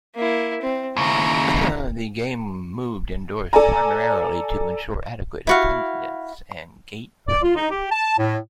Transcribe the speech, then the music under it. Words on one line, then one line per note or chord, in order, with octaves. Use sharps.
The game was moved indoors primarily to ensure adequate attendance and gate revenue.
A#3 E4
C4
D#2 C#3 E4 A#5
A4 D5 G#5 A#5
E4 F#4 F5
D5
F4
D#4
G4
A5
A2